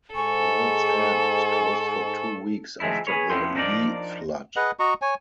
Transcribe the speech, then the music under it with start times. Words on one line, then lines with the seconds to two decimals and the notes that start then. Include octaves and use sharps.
Worlds End was closed for two weeks after the Lee flood.
0.15 G#2 A4 G#5 C#6
2.80 D#3 F3 G#3 A3 E4
3.07 G#4 A#4 B4 C#5
3.30 F2 B3 C#4 E4 G5 C6
3.55 F3 D4 D#4 F#4 A#4 D5
4.56 G#4 B4 D#5 F#5
4.79 F#4 D#5 A#5 C#6
5.02 C#5 G#5